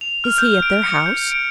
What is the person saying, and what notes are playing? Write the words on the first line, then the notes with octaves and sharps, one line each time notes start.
"Is he at their house?"
F7
F6
G6
D7
C#7
G6
D7